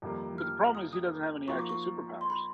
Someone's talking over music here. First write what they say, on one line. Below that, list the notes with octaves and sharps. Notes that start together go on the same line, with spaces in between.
But the problem is he doesn't have any actual superpowers.
F2 C3 D#3 G3 A#3
F6
D#6
D#6
F3 A#3 D#4 F#4 C#6
D6
C#6
C6
B5